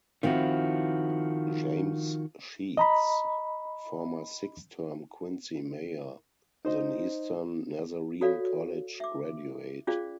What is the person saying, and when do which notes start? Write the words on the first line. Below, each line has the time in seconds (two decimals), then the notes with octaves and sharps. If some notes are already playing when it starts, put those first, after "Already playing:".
James Sheets, former six-term Quincy mayor, is an Eastern Nazarene College graduate.
0.23 D#3 F3 C4 E4 F#4
2.77 D#5 A#5 B5
6.65 D#4 C5 D#5
8.21 F#4 A4 C#5 D5 F5
9.00 E5 D6
9.87 C#4 F4 G#4 C5 D5 F5